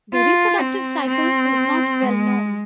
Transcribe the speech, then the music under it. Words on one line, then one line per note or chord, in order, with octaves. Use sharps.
The reproductive cycle is not well known.
F4
C4
C4
G#3